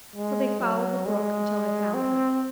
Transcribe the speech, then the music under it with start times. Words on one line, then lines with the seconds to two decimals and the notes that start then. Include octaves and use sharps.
So they followed the brook until they found her.
0.16 G#3
0.60 F#3
1.06 G#3
1.94 C4